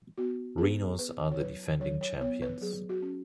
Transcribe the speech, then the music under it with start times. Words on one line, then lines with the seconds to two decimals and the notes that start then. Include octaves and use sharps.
Rhinos are the defending champions.
0.18 B3 F#4
0.58 B3 G#4
0.99 B3 B4
1.31 C#5
1.39 F#3 B4
1.80 F#3 C#5
2.01 C#5
2.21 B3 C#5
2.42 B4
2.61 F#3 G#4
2.89 F#4
3.02 C#4